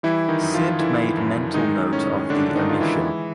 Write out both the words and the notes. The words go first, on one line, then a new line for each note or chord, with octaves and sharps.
Sid made mental note of the omission.
E3 G3 E4
D#3 D#4
F#2
F3 F4
D3 E3 E4
F#2
D#3 G#3 D#4
A2 C#4
A2 D3 D4
D#3 D#4
G#3 F4
E3 E4
G#3